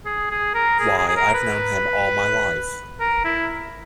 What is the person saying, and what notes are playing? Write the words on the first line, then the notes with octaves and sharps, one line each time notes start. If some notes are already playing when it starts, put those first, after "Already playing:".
Why, I've known him all my life.
G#4
G#4
A#4
G#4
G#4
G#4
A#4
B4
A#4
E4